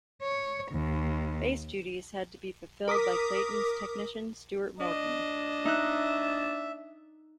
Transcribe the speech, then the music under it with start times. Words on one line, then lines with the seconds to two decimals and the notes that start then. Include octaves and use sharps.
Bass duties had to be fulfilled by Clayton's technician Stuart Morgan.
0.22 C#5
0.71 D#2
2.88 A#4 D6 D#6 B6
4.80 D4 D#5
5.65 D#4 E5 F#6